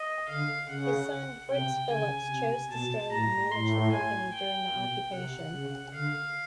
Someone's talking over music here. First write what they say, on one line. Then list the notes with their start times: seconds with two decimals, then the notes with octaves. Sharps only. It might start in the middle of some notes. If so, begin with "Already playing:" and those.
His son Frits Philips chose to stay and manage the company during the occupation.
Already playing: D#5
0.29 D3 F5
0.69 C#3 F#5
1.50 C3 G5
1.91 C#3 G#5
2.31 C3
2.71 B2 A5
3.12 A2 A#5
3.52 A2 C6
3.92 G#5
4.33 G5
4.73 B2
5.13 C3 F#5
5.54 C#3
5.94 D3 F5